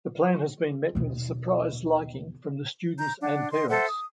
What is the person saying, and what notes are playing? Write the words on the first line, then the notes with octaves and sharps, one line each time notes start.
The plan has been met with a surprise liking from the students and parents.
D#2 B2
A#5 G6
D4 F#5
D#5 C6
A4 C5 E5 F#5
D#6